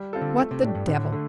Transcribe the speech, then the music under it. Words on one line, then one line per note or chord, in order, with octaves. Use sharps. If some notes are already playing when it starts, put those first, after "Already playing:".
What the devil!
Already playing: G3
C4 F4 A4
D3
A3
C3
A2 D4 G4
G2
A2 D3
D3 A3